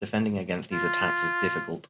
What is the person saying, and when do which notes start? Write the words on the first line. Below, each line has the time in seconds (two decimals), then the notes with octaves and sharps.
Defending against these attacks is difficult.
0.73 F4